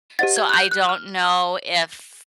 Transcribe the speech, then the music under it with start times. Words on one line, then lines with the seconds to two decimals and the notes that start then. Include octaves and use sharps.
So, I don't know if
0.19 G4 C5 D#5 F#5 A6
0.37 G#6
0.49 F#6
0.54 G6
0.71 F#6
0.89 F6
1.24 E6